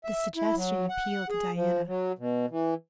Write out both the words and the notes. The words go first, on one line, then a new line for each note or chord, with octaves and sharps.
The suggestion appealed to Diana.
E5
E4
F#3
F#5
G#4
F3
F#3
B2
E3